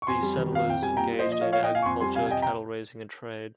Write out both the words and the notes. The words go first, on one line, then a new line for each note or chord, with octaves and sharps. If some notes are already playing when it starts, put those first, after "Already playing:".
These settlers engaged in agriculture, cattle-raising, and trade.
C#6
F2 G#5 C6
G3
D#3
F2 F5
F2 G5
G3 G#5
A#2 G5 A#5
A#2
C5 D#5
F3
D#5
F3 C#5 F5
C#5 F5
A#2
D#5 G5
A#2 F5 G#5
C#6
F2 G#5 C6
G3 G#5 C6
C3 F5 G#5
G#5
F2 D#5 G5
G5 A#5